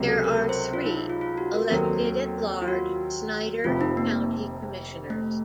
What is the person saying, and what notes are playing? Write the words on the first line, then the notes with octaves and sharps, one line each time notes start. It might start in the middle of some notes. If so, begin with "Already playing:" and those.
There are three, elected at large, Snyder County Commissioners.
Already playing: C#2 C3 F#3
A4
A#4
C5
F4
D#4
D#4
F4
F4
F#4
A#4
D#2 D#3 F#3 C4 A4
F4
F#4
F1 F2 C3 F4
D#4
A#3
A3